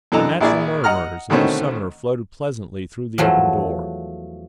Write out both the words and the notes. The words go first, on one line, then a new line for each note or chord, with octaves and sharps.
The natural murmurs of the summer floated pleasantly through the open door.
F#2 E3 D4 A4 D#5 A#5
A#1 A#3 E4 G#4 D5
D#5 F#5 A#5 F6
B2 D3 D#3 A3 C4 C#4
E2 F3 F#3 A3